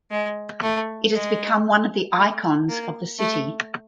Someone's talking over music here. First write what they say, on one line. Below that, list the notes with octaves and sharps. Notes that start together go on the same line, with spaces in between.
It has become one of the icons of the city.
G#3
A3
G#3
A3
A#3
A3